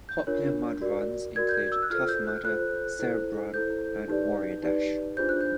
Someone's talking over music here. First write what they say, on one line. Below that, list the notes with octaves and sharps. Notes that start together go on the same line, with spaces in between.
Popular mud runs include Tough Mudder, CerebRun, and Warrior Dash.
G6
D4 F4 A#4 C#5
F#4 A#4 D5
F#4 A#4 D5 G#6
G6
G#6
E6
F#6
F4 A4 C5 F6
G6
F#6
F4 A4 C5 F#6
E4 A4 C5
E4 A4 C5 G6
D#4 G4 B4 D5
D#4 G4 B4 D5
D4 F4 G#4 C5 G6
F#6
G6